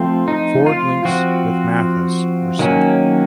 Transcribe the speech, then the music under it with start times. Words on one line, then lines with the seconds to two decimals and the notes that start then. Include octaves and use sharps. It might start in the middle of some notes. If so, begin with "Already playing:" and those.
Ford links with Mathis were severed.
Already playing: F3 A3 C4
0.28 D#4
0.66 F4
1.05 F3 C4 F#4
2.59 D#3 F#3 A#3 C#4